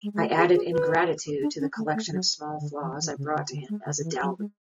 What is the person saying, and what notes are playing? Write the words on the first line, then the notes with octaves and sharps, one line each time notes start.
I added ingratitude to the collection of small flaws I brought to him as a dowry.
G#3
G#3
A3
G#4
G#4
B4
D4
C#4
A3
A3
F#3
D3
E3
E3
C#3
D3
D3
G#3
D3
D3
E3
F#3
G#3